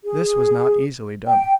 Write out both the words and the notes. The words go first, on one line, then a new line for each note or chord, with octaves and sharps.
This was not easily done.
G#4
G5